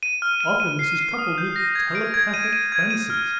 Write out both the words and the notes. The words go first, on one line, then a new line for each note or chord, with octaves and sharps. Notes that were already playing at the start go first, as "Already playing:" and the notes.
Often this is coupled with telepathic fancies.
D#7
F6
D#7
D#7
C7
C7
D#6
G6
A#6
G#6
D7
G#6
D#7
D#7
G#6
D#7
F6